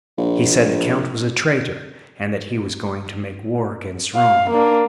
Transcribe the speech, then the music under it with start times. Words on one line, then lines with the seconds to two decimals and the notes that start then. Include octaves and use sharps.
He said the count was a traitor, and that he was going to make war against Rome.
0.18 A#1
4.15 F5
4.50 A#3 D4